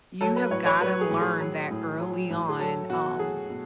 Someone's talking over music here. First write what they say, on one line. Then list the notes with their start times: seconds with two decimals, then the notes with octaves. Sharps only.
you have gotta learn that early on, um,
0.21 F#3 A4
0.36 B4
0.50 A2 C#5
0.66 C#5
0.81 F#3 B4
1.01 G#4
1.10 A2
1.21 G#4
1.40 F#3
1.71 A2
2.00 F#3
2.30 A2
2.49 G#4
2.60 F#3 A4
2.90 B2 F#4
3.19 F#3 G#4
3.50 B2